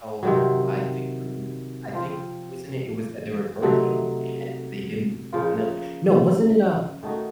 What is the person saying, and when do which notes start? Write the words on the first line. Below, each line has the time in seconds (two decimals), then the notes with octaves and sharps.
Oh, I think I remember, I think wasn't it it was that there were hurricanes, and they didn't fund them? No, wasn't it, um
0.23 C3 D#3 F#3
1.93 F3 C4 F4
3.62 C3 F#3 A3 D#4
5.33 C#3 F3 A#3 F4
7.03 D#3 A3 D#4 F#4